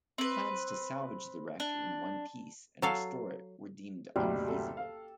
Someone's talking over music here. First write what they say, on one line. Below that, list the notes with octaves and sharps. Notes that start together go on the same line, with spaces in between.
Plans to salvage the wreck in one piece and restore it were deemed unfeasible.
C4 B4
D4
F#3 A4 F5
F#1 D2 B2 G3
A4
F5